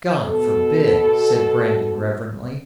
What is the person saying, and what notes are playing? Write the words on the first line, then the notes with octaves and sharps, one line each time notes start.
"God forbid!" said Brandon reverently.
B2 A4